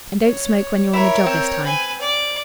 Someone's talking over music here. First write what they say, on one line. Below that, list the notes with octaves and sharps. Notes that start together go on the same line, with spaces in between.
And don't smoke when you're on the job this time.
C#5
E4 A#4 C#5
C4
B4 G#5
D5